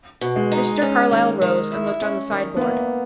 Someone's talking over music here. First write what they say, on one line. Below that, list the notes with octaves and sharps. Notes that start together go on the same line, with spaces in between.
Mr. Carlyle rose and looked on the side-board.
B2
G#3
D#4
C#4
D#3
D#3
E4
C#4
D#3
B3
E2 A#3